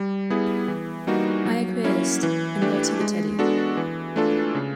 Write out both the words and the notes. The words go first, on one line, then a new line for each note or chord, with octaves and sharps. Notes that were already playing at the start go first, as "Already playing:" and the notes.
I acquiesced and bought her the teddy!.
Already playing: G3
B3 E4 G#4
E3
G3 A#3 D#4 F#4
F#3
A#3 C#4 E4
E3
A3 D4 G4
G#3
B3 D4 F#4 A4
E3
A3 D4 F4 A4
C#3